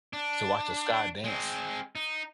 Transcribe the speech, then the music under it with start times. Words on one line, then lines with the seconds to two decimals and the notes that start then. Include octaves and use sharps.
so watch the sky dance,
0.13 D4
1.24 G#3 C4
1.95 D#4